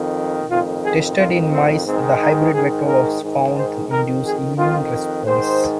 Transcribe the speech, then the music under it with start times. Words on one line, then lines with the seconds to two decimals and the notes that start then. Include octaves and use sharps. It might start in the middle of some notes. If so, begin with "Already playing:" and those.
Tested in mice, the hybrid vector was found to induce immune response.
Already playing: F2 D#3
0.49 F2 D#3 F4
0.83 G#4
1.17 F2 D#3 F4
1.51 C4
1.85 G#2 D#3 C4
2.19 D#4
2.52 G#2 D#3 G#4
2.87 A#4
3.21 G#2 D#3
3.55 C5
3.89 F2 D#3 A#4
4.23 G#4
4.56 F2 D#3 F4
5.24 G#2 D#3 C5